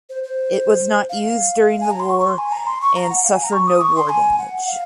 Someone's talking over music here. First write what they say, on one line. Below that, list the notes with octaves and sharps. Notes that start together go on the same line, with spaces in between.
It was not used during the war and suffered no war damage.
C5
C5
F5
G#5
A#5
C6
C#6
C#6
C6
G#5
A#5
C6
C#6
A#5
F#5
F5
G#5
A#5
C#6
D#6
C#6
C6
G#5
F#5
F5